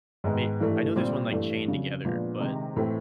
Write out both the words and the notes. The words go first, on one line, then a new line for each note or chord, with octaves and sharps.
Me I know there's one like Chained Together, but
G#2 D#3 G#3 B3
G2 E3 A3
A#2 G3 C4
G2 E3 A3
F2 C#3 F#3
A#2 F3 G#3 B3 D4
C3 D#3 G#3
A2 E3 A3 C4